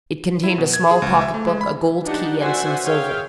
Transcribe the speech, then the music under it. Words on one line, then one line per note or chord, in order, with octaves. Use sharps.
It contained a small pocket-book, a gold key, and some silver.
E4
B2
G#6
G#4
C#2
E5
A3
G#3
B5
D4 D#4 G4 F#5 A5
F#4 C5 D5 E5 F#5 G#5
G#4 C#5 E5 F5 G5